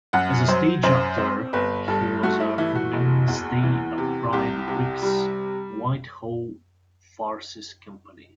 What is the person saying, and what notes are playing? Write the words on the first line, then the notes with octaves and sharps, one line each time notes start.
As a stage actor he was a mainstay of Brian Rix's Whitehall farces company.
F#2 F#5
F#3 C5
F#2 C5
C4
G1 B4
G2 A4
A3 F#4
E4
E3 E4
F#4
F#1
E2
E3
C3
C2 G4
C3
G3